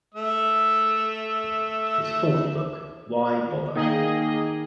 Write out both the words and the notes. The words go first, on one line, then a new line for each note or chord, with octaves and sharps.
His fourth book, Why Bother?
A3 E5 E6
D#3 A#3 G#4 D#5